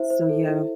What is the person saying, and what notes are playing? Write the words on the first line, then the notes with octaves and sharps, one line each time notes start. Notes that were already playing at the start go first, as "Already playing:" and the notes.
so yeah.
Already playing: E4 C5 E5
C5
A4
E4